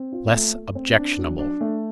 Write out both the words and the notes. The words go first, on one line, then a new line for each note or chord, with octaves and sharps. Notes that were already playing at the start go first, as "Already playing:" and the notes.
Less objectionable.
Already playing: C4
F4
A3
A3
C4
D4
F#3
D4
A3